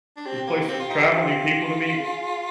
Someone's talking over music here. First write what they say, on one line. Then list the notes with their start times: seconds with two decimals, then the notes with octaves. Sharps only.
new places to travel, new people to meet.
0.17 D4
0.26 C4 G4
0.47 A#3
0.61 A#3
0.69 C4 G4
0.80 F4
0.90 D#4
1.11 F4
1.97 G#4